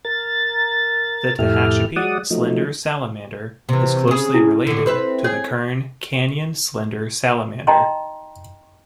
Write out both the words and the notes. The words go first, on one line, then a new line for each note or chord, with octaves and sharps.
The Tehachapi slender salamander is closely related to the Kern Canyon slender salamander.
A#4 A6
F2 A2 E4 G4 A4 F6
F#3 G#3 D5 F#5 D#6
F3 F#3 A3 D#4
C3 E3
C#3 G#4
E4
A2 D3
C4 B4 E5
G#4 C#5
D#4 D#5 G5 A5 A#5 C6